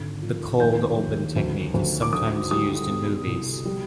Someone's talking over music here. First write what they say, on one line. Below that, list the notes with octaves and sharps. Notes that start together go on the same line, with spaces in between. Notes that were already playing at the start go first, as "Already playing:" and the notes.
The cold open technique is sometimes used in movies.
Already playing: G#1 D3
F3
D#2 G6
D#2
D2
D2
D6
D3 D#6
G3 D#6
B2
C2
G3